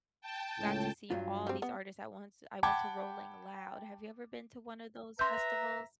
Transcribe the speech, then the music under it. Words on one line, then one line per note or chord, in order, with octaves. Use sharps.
got to see all these artists at once. I went to Rolling Loud. Have you ever been to one of those festivals?
G5 A5
C#2 A2
G2 F#3 F4
G3 C4
B3
F#5 G5 A5 B5 D6 G#6
B4 E5 A#5 C6 G6